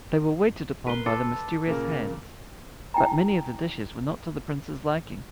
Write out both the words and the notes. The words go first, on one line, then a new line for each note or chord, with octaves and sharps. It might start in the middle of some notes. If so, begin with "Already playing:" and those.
They were waited upon by the mysterious hands, but many of the dishes were not to the Prince's liking.
A#4 B4 C6
A4 D6
A#2 C#3 A#3
E4 G5 G#5 A#5